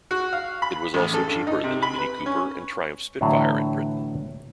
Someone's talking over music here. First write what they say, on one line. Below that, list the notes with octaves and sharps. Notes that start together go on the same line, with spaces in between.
It was also cheaper than the Mini Cooper and Triumph Spitfire, in Britain.
F#4
F5
B5
A1
A4
G2
D#4
C3
B5
B4
C#4
A2 D3 E3 F#3